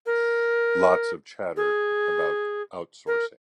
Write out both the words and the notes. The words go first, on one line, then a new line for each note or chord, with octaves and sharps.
Lots of chatter about outsourcing.
A#4
G#4
A#4